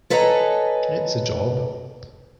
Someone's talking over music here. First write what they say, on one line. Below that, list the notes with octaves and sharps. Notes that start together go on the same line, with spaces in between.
It's a job.
A4 B4 C#5 D#5 G#5 A#5